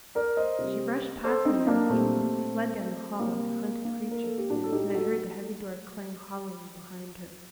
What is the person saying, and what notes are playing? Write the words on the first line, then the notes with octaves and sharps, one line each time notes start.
She rushed past me unheeding, and fled down the hall like a hunted creature, and I heard the heavy door clang hollowly behind her.
A#4 D5
C5 D#5
C3
G3
A4 C5
C4 D#4
A#3 D4
A#2 G3 A3 C4
C3 G3 A#3
A#3
A#4
A4
G4
A2 G3 D4 F#4
A4
D#4 G4
F#4 A4